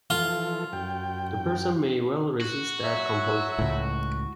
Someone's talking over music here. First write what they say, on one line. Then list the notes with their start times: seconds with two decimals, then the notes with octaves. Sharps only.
The person may well resist that compulsion.
0.10 E3 F3 F4 A4
0.73 F#2 G5
2.41 F#4
2.85 F#3 E5
3.59 C#2 A2